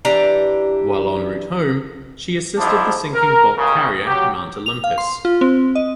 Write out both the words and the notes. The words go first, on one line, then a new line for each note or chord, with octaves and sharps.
While en route home, she assisted the sinking bulk carrier "Mount Olympus".
E3 D4 G4 A#5
F2 G#2 F3 D4 E4
A#4
A1 C#3
F#3 G4
F7
F5
C6
F4
C4
D#5